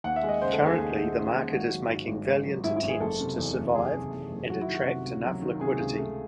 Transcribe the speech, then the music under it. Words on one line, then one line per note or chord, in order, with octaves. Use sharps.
Currently the market is making valiant attempts to survive and attract enough liquidity.
D#2 F#5
E5
G#3
D#5
C#3 C5
A4
D#2
G#4
D#2
G#3
C#3
D#2
G#1 F#4
F#3
G#2
G#1
G#1
F#3
G#2 E4
E4
G#1
G#4
F#1 A4
C3
E2
F#1
F#1 G#4
C3
E2
F#1
F#3 F#4
E4
D#3
F#4
C3
C#2
F#3
D#3
C3 G#4
C#2
A3